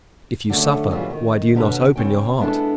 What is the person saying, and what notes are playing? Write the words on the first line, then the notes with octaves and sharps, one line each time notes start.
If you suffer, why do you not open your heart?
D3 F#3 A3 C#4
G#2 E3 F#3 G3 B3 F4
D#3 D#4
D#2 B2 D3 B4 A5 A#5
C#3 C4 C#4 G5
G#3 B3 D4 E4 A4